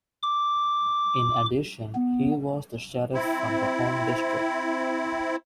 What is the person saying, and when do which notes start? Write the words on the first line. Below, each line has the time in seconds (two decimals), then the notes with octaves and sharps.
In addition he was the Sheriff for the Home District.
0.23 D6
1.95 B3
3.14 C4 E4